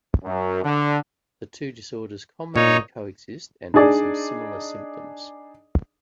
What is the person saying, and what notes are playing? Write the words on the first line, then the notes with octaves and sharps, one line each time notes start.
The two disorders commonly co-exist, and have some similar symptoms.
F#2
D3
A#2 D#4 C#5
D4 D#4 G#4 D5 D#5